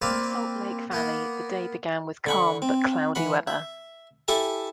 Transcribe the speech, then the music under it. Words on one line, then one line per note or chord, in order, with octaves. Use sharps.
In Salt Lake Valley, the day began with calm but cloudy weather.
A#3 C4 B4 D5 F5
A#3 B3 A#4
D3 B5 C#6
C4
E3 F#5 B5
E5
E4 G4 A4 E5 G#5 A5